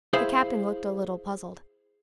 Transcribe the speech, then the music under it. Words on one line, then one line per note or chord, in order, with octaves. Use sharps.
The Captain looked a little puzzled.
E4 G#4 C5 E5 F5